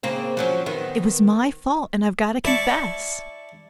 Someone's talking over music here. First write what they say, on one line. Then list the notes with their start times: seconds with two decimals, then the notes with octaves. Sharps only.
It was my fault and I've got to confess.
0.03 C#3 A#3 C4
0.37 F3 F#3 C#4
0.66 D#3 B3
2.44 E4 D5 A5 C#6 D6